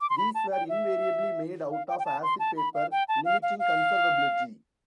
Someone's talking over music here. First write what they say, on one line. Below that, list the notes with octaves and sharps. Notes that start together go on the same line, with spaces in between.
These were invariably made out of acid paper, limiting conservability.
D6
C6
B5
A5
G5
E5
F5
G5
G5
A5
C6
A5
B5
F5
G5
A5
F5
F5
F5